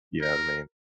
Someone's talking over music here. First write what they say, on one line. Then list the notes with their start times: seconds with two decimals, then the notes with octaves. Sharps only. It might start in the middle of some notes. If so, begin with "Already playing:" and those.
You know what I mean?
0.21 A#4